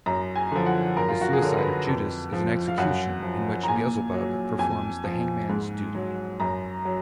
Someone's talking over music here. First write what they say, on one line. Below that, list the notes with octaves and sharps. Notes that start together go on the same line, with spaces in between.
The suicide of Judas is an execution, in which Beelzebub performs the hangman's duty.
F#2 A#5
G#5
D3 F3
F#5
F#2 A#4
F4
F#4
G#4
D3 F#3 A#4
B4
F2
F3
F5
F#2 F#5
F3
A#5
A#2 G#5
F#3
F2 G#5
F3
G#2
F#3
F#2 A#5
F#3